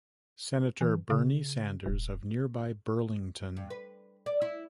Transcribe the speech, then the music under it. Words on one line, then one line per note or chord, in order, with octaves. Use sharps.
Senator Bernie Sanders of nearby Burlington.
E3
C#3
D#1
G2
B4
D5
E4